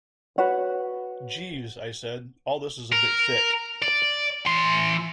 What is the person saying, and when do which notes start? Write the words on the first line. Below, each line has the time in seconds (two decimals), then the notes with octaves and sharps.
"Jeeves," I said, "all this is a bit thick."
0.38 F#4 B4 C#5 F#5
2.92 A#4
3.82 D5
4.47 E3 C6